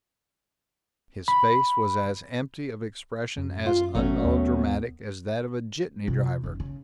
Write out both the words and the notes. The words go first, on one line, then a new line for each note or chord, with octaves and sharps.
His face was as empty of expression, as unmelodramatic, as that of a jitney driver.
B5
F#2
F4
G#1 F#3 A3 C#4
D#2 B3
C3 F4
F#1 D#3
C#3